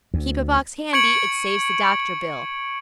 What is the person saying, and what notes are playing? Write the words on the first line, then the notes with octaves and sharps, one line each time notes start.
Keep a box handy, it saves the doctor bill.
D2
C#6 G#6 C#7 D7 F#7